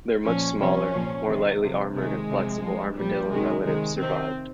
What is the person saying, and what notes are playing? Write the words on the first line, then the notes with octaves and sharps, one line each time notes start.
Their much smaller, more lightly armored and flexible armadillo relatives survived.
A#2 F3 C#4
C3 F3 C#4
A#2 F3
C3 D#3
C3 F3
C3 D#3 G#3
C3 F3
C3 F3
A#2 F3 G3
C3 D#3 G#3
C3 D#3 G#3
C3 D#3 C4